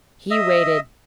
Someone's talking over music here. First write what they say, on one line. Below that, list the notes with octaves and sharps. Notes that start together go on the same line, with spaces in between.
He waited.
D#5 E5